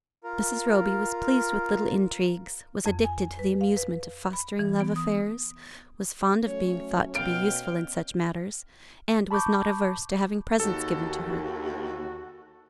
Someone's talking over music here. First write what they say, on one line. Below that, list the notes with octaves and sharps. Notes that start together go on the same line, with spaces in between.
Mrs. Roby was pleased with little intrigues, was addicted to the amusement of fostering love affairs, was fond of being thought to be useful in such matters, and was not averse to having presents given to her.
F4 A#4
F2
G#5
B4
F5
B4
B5
E3
B3
D#6
F#3 A3 C#4 C#5
B2 F5 G5 D7
A5 B5 C#6 D6 G6
D#2 F#4 A4